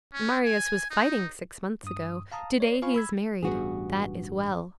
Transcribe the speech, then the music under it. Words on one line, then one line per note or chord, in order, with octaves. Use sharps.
Marius was fighting six months ago; to-day he is married. That is well.
C#4
G#5
D#4
G2 D#6
F5 A5 A#5 D#6
C#5 D5 C7
F4 C5 F5 G#5 B5 C#6
B5 E6 G#6
A1 G2 B3 F#4 G#4